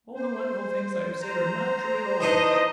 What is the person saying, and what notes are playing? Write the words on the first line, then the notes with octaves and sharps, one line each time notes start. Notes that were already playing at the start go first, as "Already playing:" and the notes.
All the wonderful things I have said are not true at all.
C5
C5 A#5
E3 D4 D#4 D#5